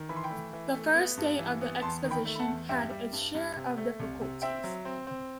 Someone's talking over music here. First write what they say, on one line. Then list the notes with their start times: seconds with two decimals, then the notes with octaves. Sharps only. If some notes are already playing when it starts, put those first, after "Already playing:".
The first day of the Exposition had its share of difficulties.
Already playing: D#3
0.09 E3 B5
0.16 C6
0.24 G5 B5
0.30 A3
0.53 E3
0.74 A3
0.95 B3
1.17 G2
1.39 E3
1.61 B3
1.82 E2 A5 C6
2.04 D#3
2.11 G5 B5
2.25 A3
2.36 B5
2.40 F#5 A5
2.48 E2
2.69 G2 E5 G5
2.90 G3
3.13 G2
3.35 G2
3.56 C3
3.78 A3
4.00 C2
4.21 C3
4.42 C4 E5 G5
4.64 F#3
4.85 C4
5.07 C4